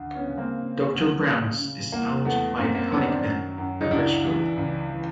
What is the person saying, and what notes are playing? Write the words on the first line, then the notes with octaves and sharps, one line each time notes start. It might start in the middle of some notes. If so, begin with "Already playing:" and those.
Doctor Brown's is owned by the Honickman Beverage Group.
Already playing: D2
B3 C#4
C#3
A#3 C4
C#3
D2
C#3
C#3
E2 A#3
E2 A3 B3
F#2 A#3 C4
A#3 C4
D#3 B3 C#4
C4 D4
F#2
F#2
D#4
C#2 D4 E4
E3
C#2
E3